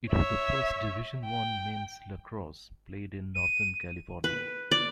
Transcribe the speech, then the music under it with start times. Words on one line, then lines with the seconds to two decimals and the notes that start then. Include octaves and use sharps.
It was the first Division One men's lacrosse played in Northern California.
0.10 C#5 E5
1.25 G5
3.35 D#7
4.24 B4
4.71 D5